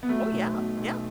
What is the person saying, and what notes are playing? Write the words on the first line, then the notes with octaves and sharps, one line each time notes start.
Oh, yeah, yeah.
B3
F#3 A3
B1
B2
B1